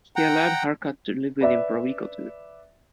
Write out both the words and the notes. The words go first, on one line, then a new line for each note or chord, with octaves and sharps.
He allowed Harkat to live with him for a week or two.
F#5 G5 A#5
B4 D5 E5